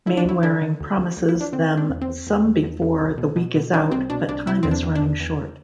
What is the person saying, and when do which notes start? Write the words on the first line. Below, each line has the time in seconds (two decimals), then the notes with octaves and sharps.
Mainwaring promises them some before the week is out, but time is running short.
0.06 D3 E4
0.17 D4
0.25 D2 E4
0.43 D3 D4
0.62 D3
0.81 D2
0.98 D2
1.17 D2
1.29 E4
1.35 D2
1.41 D4
1.53 D3 C4
1.71 D3
1.78 D4
1.90 E2
2.02 C4
2.09 E2
2.27 E2
2.45 E2
2.63 E2
2.82 E2
3.00 C2
3.18 B2
3.36 B2
3.55 B2
3.73 C2 D4
3.92 C2 C4
4.10 B2 D4
4.29 C2 D4
4.47 C3 E4
4.63 E2 C4
4.71 D4
4.83 E2
4.95 D4
5.02 E2
5.20 E2